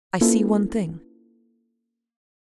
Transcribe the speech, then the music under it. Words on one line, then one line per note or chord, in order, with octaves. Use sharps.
"I see one thing."
A#3 C#4 E4 F4 A4 B4